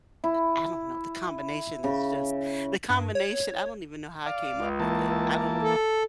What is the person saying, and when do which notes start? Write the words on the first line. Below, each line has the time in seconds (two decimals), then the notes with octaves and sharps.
eh, I don't know, the combination is just the combination. I don't even know how I came up with it. I don't
0.24 E4
1.84 C#3
2.90 G2
3.15 C#5
4.26 D5 F5
4.52 C#2
4.80 E3 A#3 A5
5.62 A4